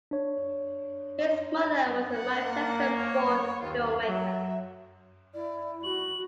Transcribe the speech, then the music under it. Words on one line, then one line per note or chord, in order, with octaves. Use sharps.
His mother was a Manchester-born filmmaker.
D4 C#5
F#5
A#3
C#5
D#2 F4
F#3 E5
E4 D5
F#4 C#6 F#7